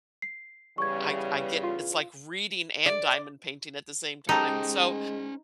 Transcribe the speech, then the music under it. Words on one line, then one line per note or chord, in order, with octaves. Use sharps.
I g I get it's like reading and diamond painting at the same time. So,
C7
E2 C#3 G3 C#6 G#6
F4
D5
G#3 C#4 D#4 G4 A4 C5 G5